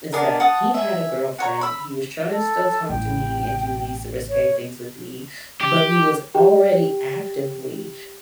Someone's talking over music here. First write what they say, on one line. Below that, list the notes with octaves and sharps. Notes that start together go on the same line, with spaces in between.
is that he had a girlfriend, he was trying to still talk to me and do these risque things with me, but he was already actively
B3 D4 G#4 A#4
F#5 A5 D#6
E5 G#5
F#4 C#5 A#5
B5 E6
A4
A1 E4 G5
C#5
G4
G4 G5